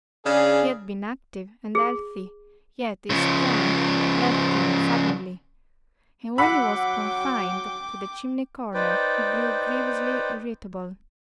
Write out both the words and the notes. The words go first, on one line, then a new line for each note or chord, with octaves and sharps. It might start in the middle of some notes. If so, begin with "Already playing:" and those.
He had been active and healthy, yet his strength left him suddenly; and when he was confined to the chimney-corner he grew grievously irritable.
C#3 D4 G#4
G#4
C#3 F3
F#3 F#5 G5 B5 D6 E6
D#4 B4 C5 D5 G5